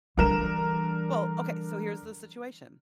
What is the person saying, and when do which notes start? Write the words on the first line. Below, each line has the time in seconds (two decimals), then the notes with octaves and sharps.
Well, okay, so here's the situation,
0.17 D3 E3 G3 A#4 E7